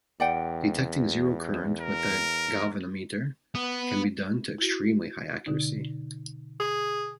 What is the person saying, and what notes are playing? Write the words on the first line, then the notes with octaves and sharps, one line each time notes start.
Detecting zero current with a galvanometer can be done to extremely high accuracy.
E2 D5 F#5 G5
A#4
B3
E4 F#4
B2 D3 D#4
G#4